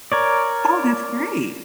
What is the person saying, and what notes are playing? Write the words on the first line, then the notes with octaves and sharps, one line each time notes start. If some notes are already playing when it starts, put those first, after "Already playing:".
Oh, that's great.
A#4 C#5 D5